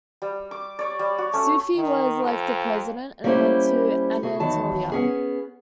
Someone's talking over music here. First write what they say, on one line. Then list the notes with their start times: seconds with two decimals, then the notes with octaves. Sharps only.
Suphi was elected President and went to Anatolia.
0.22 G3
0.51 D6
0.79 C#5 D5
0.99 G3
1.18 F#4
1.33 A3 C#4
1.76 D#3
2.23 F2
3.24 G3 A#3 C#4 E4 C5
4.23 E4 F#4 G#4
4.40 E2 D#3 F#3 A5
4.92 B3 C#4 G#4